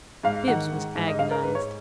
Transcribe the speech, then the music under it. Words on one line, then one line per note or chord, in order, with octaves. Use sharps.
Bibbs was agonized.
G#2 F5
D#3 F#5
G#2
G#2
D#5
G#2 F5
A#4
G#2 B4
C#5